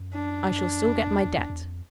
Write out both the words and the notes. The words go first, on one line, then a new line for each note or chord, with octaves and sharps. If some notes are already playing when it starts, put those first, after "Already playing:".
I shall still get my debt.'
Already playing: F#2
D4
F#2
F2
E2
E2
E2
E2
F2